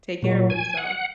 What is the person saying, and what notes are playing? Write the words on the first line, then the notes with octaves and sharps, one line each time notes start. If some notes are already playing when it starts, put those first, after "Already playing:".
take care of themselves.
A#2 F#3
G#5
F#5